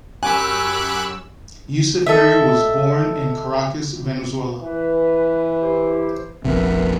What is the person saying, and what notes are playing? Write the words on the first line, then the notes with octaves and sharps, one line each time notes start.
Yucef Merhi was born in Caracas, Venezuela.
F#2 G4 G#5 B5 C#6 D6 E6 F#6
A4 D#5 E5
E3 B4
E4 G4 C5
F1 A#1 C3 B3 A#4 B4 E5